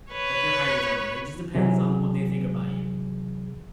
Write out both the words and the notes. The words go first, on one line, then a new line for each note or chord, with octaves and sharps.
like, you're hiding something," like, just depends on what they think about you,
B4 C#5
C3 E3 F#3 G#4